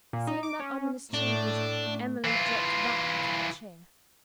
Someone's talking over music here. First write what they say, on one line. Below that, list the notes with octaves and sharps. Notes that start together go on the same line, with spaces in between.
Seeing that ominous change, Emily dropped back into her chair.
A#2
D#4
D6
C#4
A2 A3 D4
E3 F4